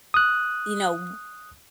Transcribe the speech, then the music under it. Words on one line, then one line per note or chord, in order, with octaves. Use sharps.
You know, w
D#6 F#6